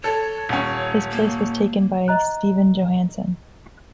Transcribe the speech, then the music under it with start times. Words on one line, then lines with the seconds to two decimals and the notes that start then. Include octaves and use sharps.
His place was taken by Stefan Johansson.
0.04 A4 C#5
0.49 D#1 C#4
1.12 A#3
2.08 D#5 A#5 F#6